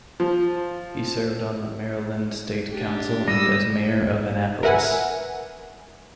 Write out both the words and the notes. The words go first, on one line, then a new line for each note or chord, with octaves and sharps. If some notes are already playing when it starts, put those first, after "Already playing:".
He served on the Maryland state council and as mayor of Annapolis.
F3
D4 G4
G3 D#6 E6 A#6
A#4 B4 E5 F#5 G#5